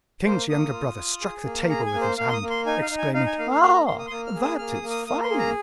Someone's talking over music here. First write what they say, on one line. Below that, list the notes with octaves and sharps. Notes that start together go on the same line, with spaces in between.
The king's younger brother struck the table with his hand, exclaiming, "Ah! that is fine!"
A#3 C5
A#3 D#6
F4
F4
G#4
A#3
G#4 A#5
G#5
A#3
C5
A#3 F5
C6
D#6
A#3
C6
D#4 G#5
F5
D#4
G#5
D#4 F5
G#5
A#3 F5
F5
A#3 F5
A#5
A#3 C6
D#6
C6
A#3 D#6
F6
G#4
D#6
A#3 F6
D#6
A#3
D#6
A#3 D#6
C6
G#4
A#5